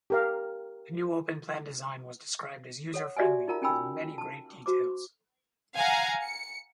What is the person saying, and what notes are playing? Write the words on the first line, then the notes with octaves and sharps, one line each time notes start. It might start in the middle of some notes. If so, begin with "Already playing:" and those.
The new open-plan design was described as user friendly with many great details.
G4 A#4 F5
A4 C#5 F#5
F#4 G4 D5 E5 F#5 G#5
D#4 F4 A#4 F#5 A#5
C#4 D#4 G5 G#5 B5 E6
A5
F#4 C5 D6
F5 F#5 G#5 A#5
C#7